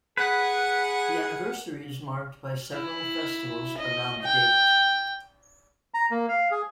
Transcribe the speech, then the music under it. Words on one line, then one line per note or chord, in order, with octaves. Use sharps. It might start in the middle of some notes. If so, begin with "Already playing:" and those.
The anniversary is marked by several festivals around the date.
G#4 B4 F#5
E4
D#5
G5
A#5
A#3
F5
G#4